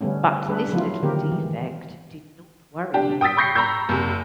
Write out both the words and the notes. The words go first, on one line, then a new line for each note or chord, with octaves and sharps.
But this little defect did not worry him.
D3 G3 A3 B3 C#4
G3 A3 D4 G#4 A4 B4
F3 F#3 A3 B3 E4 F4
D3 D#3 A#3 C4 G4 A#4
E3 G#3
D4 G4
G5 D#6 E6 A6 B6
B5 C#6 G6 A#6 C7 C#7
A#5 B5 C#6 E6 G6
F#1 C3